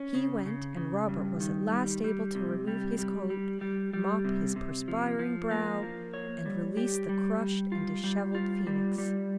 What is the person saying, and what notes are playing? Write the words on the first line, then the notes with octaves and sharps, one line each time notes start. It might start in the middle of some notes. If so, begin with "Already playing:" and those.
He went, and Robert was at last able to remove his coat, mop his perspiring brow, and release the crushed and dishevelled Phoenix.
Already playing: C#4
C#3
C#3
C#3
G2
D#3
G3
G3
C3
G3
G3
G3
G3
G3
C3
C3
F3
F3
A#3
F3
C#5
G3
G4
G3
G3
F4
G3
F4
G3
G3